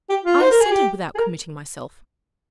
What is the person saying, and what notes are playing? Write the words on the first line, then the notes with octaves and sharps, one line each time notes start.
I assented, without committing myself.
G4
F4
C5
A#4
G#4
G4
G#4
A#4